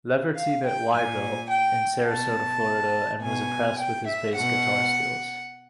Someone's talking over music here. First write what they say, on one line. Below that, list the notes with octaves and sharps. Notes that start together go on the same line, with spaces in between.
Leverty met Waibel in Sarasota, Florida and was impressed with his bass guitar skills.
F5
G5
A#2 G#5
G5
B2 A5
B2 G#5
G5
E5
B2 F#5